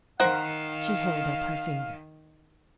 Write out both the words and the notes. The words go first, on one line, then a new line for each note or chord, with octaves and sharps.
She held up her finger.
D#3 A#4 C5 F5 F#5